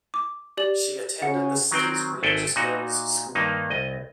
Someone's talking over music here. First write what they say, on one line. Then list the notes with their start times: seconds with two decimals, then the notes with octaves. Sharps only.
She attended the city's religious girls' school.
0.14 D6
0.57 G4 D5 F#7
1.22 C#3 F#5
1.71 D#3 F#3 C4 G5
2.23 G#1 G#4 A4 E5 G5
2.56 A#2 D#4 F#4
3.35 G2 D#3 A#3 D#4
3.70 C2 D#5